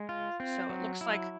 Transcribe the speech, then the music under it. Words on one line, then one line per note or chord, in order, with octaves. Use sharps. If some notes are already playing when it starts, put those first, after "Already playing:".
so, it looks like
Already playing: G#3
F4
C4
F#3
E4